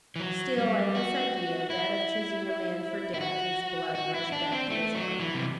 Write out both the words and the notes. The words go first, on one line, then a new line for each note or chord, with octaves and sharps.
Still, at this idea, that of choosing a man for death, his blood rushed back to his heart.
E3
F#3
G3
F#4
E4
E4
F#4
F#4
E4
D4
C4
A3
F#3
E3
C3